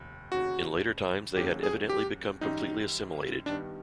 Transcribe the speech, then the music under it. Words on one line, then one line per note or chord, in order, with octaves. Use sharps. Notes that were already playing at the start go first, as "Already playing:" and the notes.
In later times they had evidently become completely assimilated.
Already playing: F1 D#2
F1 D#2 C#3 F#4
D#2 C#3 F#3 A#3 G4
G#4
G4
F#2 D#3 G3 D#4
G2 D#3 G3 B3 D4